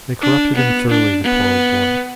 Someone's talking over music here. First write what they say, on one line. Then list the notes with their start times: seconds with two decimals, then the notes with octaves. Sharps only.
They corrupted him thoroughly, the poor old boy.
0.22 D4
0.56 B3
0.90 D4
1.24 B3